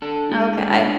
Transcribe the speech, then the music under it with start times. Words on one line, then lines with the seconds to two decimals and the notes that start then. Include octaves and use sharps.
Okay. I
0.02 D4 A4
0.31 G#3
0.61 D4